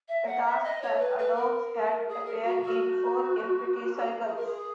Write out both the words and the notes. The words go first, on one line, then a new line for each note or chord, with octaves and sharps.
This task had a dog's head appear in four empty circles.
E5
F#5
E5
D#5
C#5
B4
B4
A#4
G#4
A#4
F#4
F#4
G#4
A#4
G#4